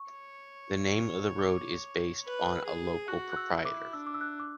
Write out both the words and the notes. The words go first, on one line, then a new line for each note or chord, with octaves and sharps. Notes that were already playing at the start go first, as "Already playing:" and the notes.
The name of the road is based on a local proprietor.
Already playing: C#6
C#5
D6
B4
G#4
F#4 F#6
F#6
E6
E4
D6
D4 E6
D6
E6
F#6
D6